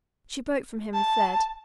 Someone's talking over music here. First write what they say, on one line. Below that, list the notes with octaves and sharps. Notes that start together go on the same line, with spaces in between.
She broke from him and fled.
A5